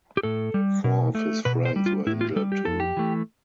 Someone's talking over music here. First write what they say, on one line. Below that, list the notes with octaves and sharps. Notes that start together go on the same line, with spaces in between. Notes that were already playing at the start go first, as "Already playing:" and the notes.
Four of his friends were injured too.
G4
A2 A4
G3
B2
A3
B2 B4
C5
G3
F4
A2 E4
F4
G3 A4
G4
F2 A4
G4
E3 A3